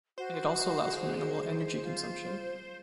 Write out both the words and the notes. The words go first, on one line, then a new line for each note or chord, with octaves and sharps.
And it also allows for minimal energy consumption.
F#4 C5
G#3
F4